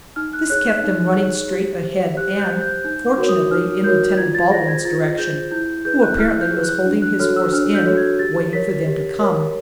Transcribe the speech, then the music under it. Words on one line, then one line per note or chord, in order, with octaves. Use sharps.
This kept them running straight ahead, and, fortunately, in Lieutenant Baldwin's direction, who apparently was holding his horse in, waiting for them to come.
D#4 F6
F#6
G#4 C#5 F#6
D#4
G#4 C#5
G4
C5
G4 F#6
G6
C5
G6
D#4 G6
D6
F#4 A#4 C#5
D#6
D#4 F6
F#4 A#4 C#5 G6
F4 G#6
A6
G#4 C5 A#6
G#6
F4 A6
G#4 C5 G6
E4 G6
G#4 B4 G6
F#6
E4 F6
G6
G#4 B4
F#6
D4
F#6
F#4 A4 C#5 F6
E6
D4 F6
G6
F#4 A4 C#5
G#6
G4 A6
A#4 C#5 B6
G4
A#4 C#5